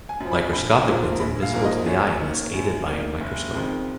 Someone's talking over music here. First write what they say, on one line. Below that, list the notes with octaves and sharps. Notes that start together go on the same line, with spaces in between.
Microscopic means invisible to the eye unless aided by a microscope.
G#5
F#2 F3
B5
A#1 B5
G#2 F3 A#3
A#1 B5
F5
G#2 F3 A#3
D#5
F#2 C#5
D#3 A#3
F#2
D#3 A#3
F#1
F2 D#3 G#3